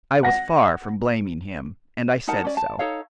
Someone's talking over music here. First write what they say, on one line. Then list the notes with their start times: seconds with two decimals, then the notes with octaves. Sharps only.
I was far from blaming him--and I said so.
0.23 F#5 A#6
2.28 D#4 A#4 F#5 A5
2.45 C#4 D5
2.57 A5
2.79 D#4 A4 C#5 F5